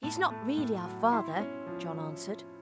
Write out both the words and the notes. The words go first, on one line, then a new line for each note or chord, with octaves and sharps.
'He is not really our father,' John answered.
A2 A5
A3
A2
F#3
E4 C6
C#4
F3